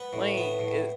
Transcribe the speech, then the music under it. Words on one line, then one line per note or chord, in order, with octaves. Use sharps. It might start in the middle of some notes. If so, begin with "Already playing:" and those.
Wait, is
Already playing: B3 B4
A2
B3
A2